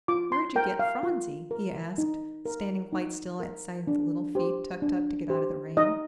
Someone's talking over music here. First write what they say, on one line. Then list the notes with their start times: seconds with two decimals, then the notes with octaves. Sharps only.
"Where'd you get Phronsie?" he asked, standing quite still at sight of the little feet tucked up to get out of the rain.
0.08 F4 D6
0.32 C6
0.56 A#4 G5
0.79 F5
1.03 F4
1.51 A#4
1.98 D#4
2.45 A#4
2.93 D#4
3.40 A#4
3.87 D4
4.35 G4 C5
4.82 D4
5.30 G4 C5
5.77 D#4 D#5